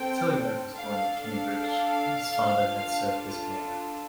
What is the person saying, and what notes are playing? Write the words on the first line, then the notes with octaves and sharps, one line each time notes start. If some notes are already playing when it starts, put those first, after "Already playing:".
Tillyard was born in Cambridge, where his father had served as mayor.
Already playing: C4 A4 G5
D4 A4 F5
F5
D4 F4 A4